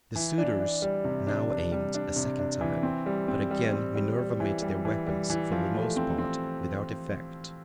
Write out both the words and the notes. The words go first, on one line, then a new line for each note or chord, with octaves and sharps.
The suitors now aimed a second time, but again Minerva made their weapons for the most part without effect.
E3
D4
D4
G3
C3
D4
D4
G3
D4
C3
D4
E3
C4
G3
C4
G3
C4
G3
G3
E3
G3
E3
G3
E3
F3
A3
C4
C4